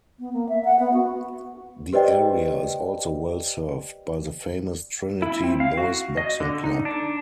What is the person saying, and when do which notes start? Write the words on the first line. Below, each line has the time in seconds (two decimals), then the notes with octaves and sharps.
The area is also well served by the famous Trinity Boys Boxing Club.
0.20 B3
0.33 A#3
0.49 E5
0.65 F#5
0.79 B3
0.93 F#4
1.93 G4 B4 C5 D5 D#5 G5
5.22 E4
5.44 C4
5.60 F5
5.77 F#4
6.17 D#5
6.40 D3
6.64 D#4
6.85 D4